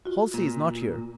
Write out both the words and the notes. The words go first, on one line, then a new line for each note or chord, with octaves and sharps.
Halsey is not here.
F4 F#4
A#2